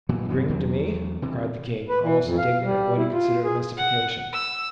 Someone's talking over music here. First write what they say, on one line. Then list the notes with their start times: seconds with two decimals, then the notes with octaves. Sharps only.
"You bring him to me!" cried the king, almost indignant at what he considered a mystification.
0.09 A#2 E3 F#3
0.28 F#2 E3 F3 B3
0.49 E2 F#3
1.22 C3 E3
1.89 B4
2.03 E3
2.22 F2
2.38 F5
2.63 G3
2.97 E4
3.12 F4
3.44 G#4
3.77 F#5
4.33 E6